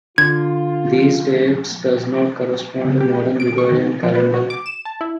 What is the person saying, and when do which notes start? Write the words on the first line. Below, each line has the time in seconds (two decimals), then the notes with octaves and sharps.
These dates does not correspond to the modern Gregorian calendar.
0.18 D3 F4 G#6
2.85 C#3
3.01 G4
3.40 D7
3.58 C#6
3.72 D#3
4.03 F3
4.15 B4
4.34 F#4
4.50 D6
4.66 E7
4.85 A5
5.01 E4